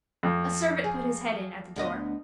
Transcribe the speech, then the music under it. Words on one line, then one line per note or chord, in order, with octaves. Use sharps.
A servant put his head in at the door.
F2
G#4
D2 B3 D#5